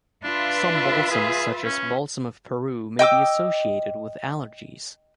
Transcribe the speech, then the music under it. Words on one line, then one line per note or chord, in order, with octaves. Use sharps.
Some balsams, such as Balsam of Peru, may be associated with allergies.
D4 F4 B4 E5
G#4
C#4
D#5 G5 D6 E6